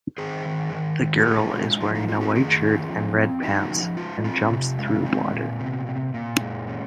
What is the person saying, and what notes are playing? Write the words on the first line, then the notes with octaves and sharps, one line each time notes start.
The girl is wearing a white shirt and red pants, and jumps through water.
D#3 G#4 C5
D#3
D#3
G#3
F#4
A#2 F4 G#4
G#3
F3 F4
D#4
C4 F4
F#4 A#4
D#3 F4 G#4
C#4
F3
C4
C#4 D#4 F#4
F3
G#3 F4
C4 F4
C3
G#3
C4
A#2
C3
C3
A#2
G#3
C#4